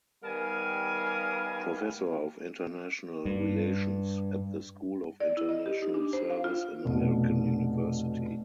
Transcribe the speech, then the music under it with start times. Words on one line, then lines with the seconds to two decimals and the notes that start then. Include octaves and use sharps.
Professor of International Relations at the School of International Service in American University.
0.24 D#3 G3 B3 A#4 F5 G#5
3.25 G2
5.20 D5
5.37 E4
5.49 D#5
5.66 G4
5.82 D#4
5.94 D4
6.13 C5
6.30 F5
6.44 F4
6.85 F1 B2